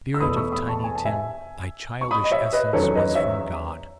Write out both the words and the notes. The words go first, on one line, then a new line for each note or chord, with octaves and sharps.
Spirit of Tiny Tim, thy childish essence was from God!
E6
E2 B2 A3 B5 D#6
C#6 E6
B5 D#6
A5 C#6
G#5
A5
E5 G#5
C#6
B5 D#6
D#5
C#5 E5
B4 D#5
E2 D#3 F#3 C#4 A4 C#5
B4 D#5
C#5 E5